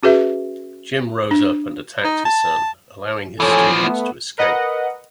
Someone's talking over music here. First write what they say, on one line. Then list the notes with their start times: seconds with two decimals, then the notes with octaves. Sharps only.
Jim rose up and attacked his son, allowing his students to escape.
0.03 C#4 F#4 G#4 B4 E5
1.31 D4
2.04 D#4
2.25 A5
3.40 E3 F3 A4 C#5 G#5
3.80 A3 B3
4.38 A#4 B4 D#5 F#5